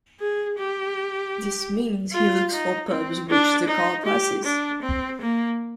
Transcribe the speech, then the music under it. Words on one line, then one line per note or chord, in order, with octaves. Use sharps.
This means he looks for pubs which the car passes.
G#4
G4
F4
D#4
C4
D4
D#4
G4
D4
C4
A#3